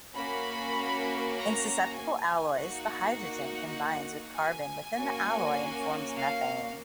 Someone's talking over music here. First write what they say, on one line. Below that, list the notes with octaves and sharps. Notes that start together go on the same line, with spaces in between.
In susceptible alloys, the hydrogen combines with carbon within the alloy and forms methane.
A#3 C#4 F#4 B5
A#5
G#5
A#3 D#4 F#4 F#5
G#5
A#3 C#4 F#4
F5